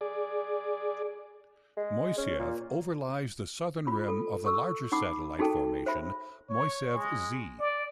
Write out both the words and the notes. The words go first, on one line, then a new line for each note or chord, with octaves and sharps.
Moiseev overlies the southern rim of the larger satellite formation Moiseev Z.
G#4 D5
G#3
C#4
A#2
F4 B5
A4
A4 C#6 E6
D#4 F#5 B5 D6
D#4 F#4 G#4 A4 G5 A5
C5 E5 B5
C#5
G#3
D5